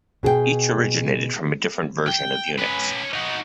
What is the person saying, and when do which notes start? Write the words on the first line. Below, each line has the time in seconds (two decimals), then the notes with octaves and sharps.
Each originated from a different version of Unix.
0.23 B2 G#4 A4 G5
2.08 G5
2.59 C#4 B4
3.13 D#4 F#4